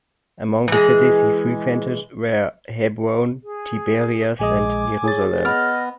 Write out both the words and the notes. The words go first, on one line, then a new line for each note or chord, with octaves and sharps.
Among the cities he frequented were Hebron, Tiberias, and Jerusalem.
E3 G#3
G#4
A#1 G#3 D#5 G#5 D6
G#4 C#5 A6
B3 D#5 F6